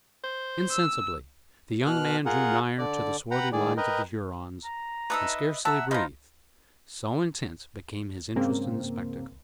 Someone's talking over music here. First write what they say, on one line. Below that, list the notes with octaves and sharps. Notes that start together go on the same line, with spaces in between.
Insensibly the young man drew nigher to the swarthy lines of the Hurons, and scarcely breathed, so intense became his interest in the spectacle.
C5
E6
B2 F6 F#6
F4 G#4 A#4 F#5
D3 D5
B4 F#5 G5 A#5 B5
G#2 D#3 G#4 D5
A#4 B4 D#5 G5
A#5
D4 D#4 A4 B4 D#5 E5
E5 F#5 A5 A#5
F3 B3 D#4 F4 A#5
G#2 C#3 A#3 C4